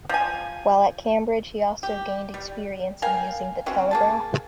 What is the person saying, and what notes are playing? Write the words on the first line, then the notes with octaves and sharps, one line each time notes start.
While at Cambridge he also gained experience in using the telegraph.
F3 G#5
G4
G3
A#4 F5 G5 G#5
C4 C#4 F#4
A#3 G#4 A5